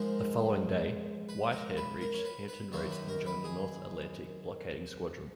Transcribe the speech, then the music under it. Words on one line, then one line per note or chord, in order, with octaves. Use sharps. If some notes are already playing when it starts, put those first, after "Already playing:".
The following day, "Whitehead" reached Hampton Roads and joined the North Atlantic Blockading Squadron.
Already playing: G#2 F3 G#3 A#4
B4
A#4
B4
A#4
C#5
B4
B4
F#2 D#3 A#3 C#5
B4
A#4
B4
G#4